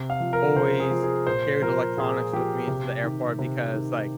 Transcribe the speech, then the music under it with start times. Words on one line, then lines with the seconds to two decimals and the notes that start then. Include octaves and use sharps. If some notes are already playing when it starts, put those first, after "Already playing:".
always carried electronics with me to the airport because, like,
Already playing: C3
0.10 F5
0.20 F3
0.33 A#4
0.56 C3 C5
0.80 G#4
0.91 F3
1.03 G#4
1.27 A#2 C5
1.62 F3 A#4
1.97 A#2 G#4
2.33 F3 G4
2.68 C3
3.03 D#3
3.39 C3
3.74 D#3